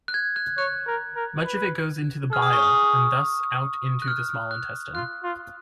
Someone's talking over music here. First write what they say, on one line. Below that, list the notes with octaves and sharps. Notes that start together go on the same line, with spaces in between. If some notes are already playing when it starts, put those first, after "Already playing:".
Much of it goes into the bile and thus out into the small intestine.
F#6
G#6
F#6
C#5 F#6
A#4
A#4
B4
G#4 F6
D#6
C#6
D#6
F#6
F6
F#6
F4 F#6
F4